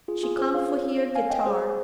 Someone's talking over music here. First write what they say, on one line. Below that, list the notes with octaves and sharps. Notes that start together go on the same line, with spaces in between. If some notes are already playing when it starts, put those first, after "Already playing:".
She come for hear guitar.
F4 G#4
F4 G#4
G#4 C5
C#5 F5
F5 G#5
D#5 G5
G#4 C5